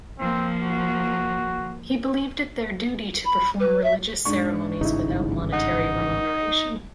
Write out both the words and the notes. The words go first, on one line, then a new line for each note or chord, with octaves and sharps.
He believed it their duty to perform religious ceremonies without monetary remuneration.
F3 A#3 C4
F#4
B5
B4
E5
G#2 D4 C#6
G#1 G2 C#3 D#4 E4
D#4 F#5